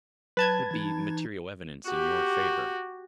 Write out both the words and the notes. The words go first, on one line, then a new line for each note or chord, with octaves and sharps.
It would be material evidence in your favor.
F#3 B4 A5 G#6
E3 D#4
F#4 G4